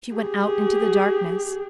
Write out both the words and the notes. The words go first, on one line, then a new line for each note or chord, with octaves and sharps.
She went out into the darkness.
G4 G#4